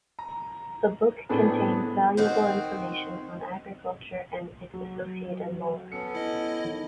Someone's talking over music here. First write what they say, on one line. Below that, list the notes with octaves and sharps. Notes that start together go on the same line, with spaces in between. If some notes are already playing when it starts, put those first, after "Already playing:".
The book contains valuable information on agriculture and its associated lore.
A#5
A2 A3 B3 C4 D4 G#4
D#3 C4 F#4 C5
F#3
B3 C#4 A4 C#7
E4 D#5
D#3